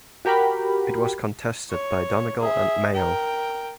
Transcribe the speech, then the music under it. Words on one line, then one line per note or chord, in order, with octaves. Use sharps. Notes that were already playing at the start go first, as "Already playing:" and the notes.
It was contested by Donegal and Mayo.
F#4 G4 A#4 G5 B5
C#5
G#4 E5
A#4 G5